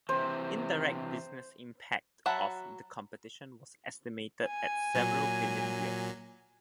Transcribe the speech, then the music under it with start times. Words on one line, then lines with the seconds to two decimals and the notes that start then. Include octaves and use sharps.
Indirect business impact of the competition was estimated at several billion yuan.
0.09 C3 E3 C5
2.26 F#3 E5 F#5 A5 B5
4.47 G#5
4.94 A#2 F#3